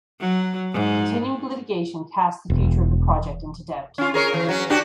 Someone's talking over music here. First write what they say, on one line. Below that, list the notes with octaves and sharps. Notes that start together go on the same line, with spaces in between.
Continuing litigation cast the future of the project into doubt.
F#3
G#2
E1
C#4 F4
G#4 A#4 C#5
E3
F#3 C#4
D4 F#4 G4